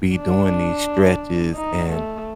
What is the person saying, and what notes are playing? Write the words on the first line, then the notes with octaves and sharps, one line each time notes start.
be doing these stretches and
D4
D#4
A3